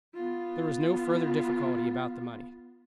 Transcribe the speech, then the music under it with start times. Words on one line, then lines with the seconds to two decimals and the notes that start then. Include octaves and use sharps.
There was no further difficulty about the money.
0.14 B3 F4